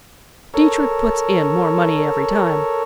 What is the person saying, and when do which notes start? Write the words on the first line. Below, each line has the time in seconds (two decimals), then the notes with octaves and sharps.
Dietrich puts in more money every time.
0.54 A4 A#4 C#5